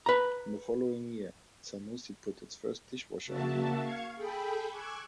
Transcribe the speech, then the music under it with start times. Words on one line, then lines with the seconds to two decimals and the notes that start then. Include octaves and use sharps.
In the following year, Zanussi put its first dishwasher on the market.
0.06 B4 A#5
3.26 C#3 A#3 F#4 E5 A5
3.81 F5 C#6 G#6
4.15 G#4 A4 G5 B5
4.70 G#5 C#6 D6 E6 F#6 G#6